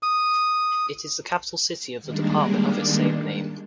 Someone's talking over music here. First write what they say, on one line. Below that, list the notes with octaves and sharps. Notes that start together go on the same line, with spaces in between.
It is the capital city of the Department of its same name.
D#6
D#3 G3 G#3 A#3 D4